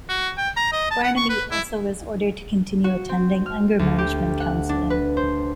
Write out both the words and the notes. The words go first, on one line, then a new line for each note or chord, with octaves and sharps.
Barnaby also was ordered to continue attending anger management counseling.
F#4
G5
A#5
D#5
A5
F#5
C#6
B4
E4
F#4
C4
F6
D2
G4
F#5
D4
B4
C5